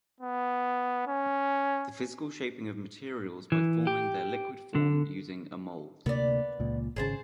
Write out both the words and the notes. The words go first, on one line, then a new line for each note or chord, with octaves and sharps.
The physical shaping of materials by forming their liquid form using a mould.
B3
C#4
E3
G4
D3
D2 C3 A#3 B3 D5
C#2 A#2
G#1 C#3 G#4 C5 A5